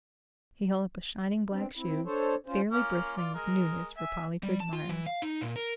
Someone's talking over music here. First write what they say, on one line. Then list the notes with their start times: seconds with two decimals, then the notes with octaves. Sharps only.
He held up a shining black shoe, fairly bristling with newness, for Polly to admire.
1.51 B2 C4 D4
1.75 C4 E4
2.05 D4 A4 C5 C#5
2.47 C#4 F4 C5
2.72 A#3 C#4 F4
3.17 F4 D5
3.34 G#3 A#4
3.98 E5 G#5
4.43 G3
4.60 A5
4.73 F4
4.89 E3
5.06 F5
5.22 D#4
5.41 A#2
5.56 A#4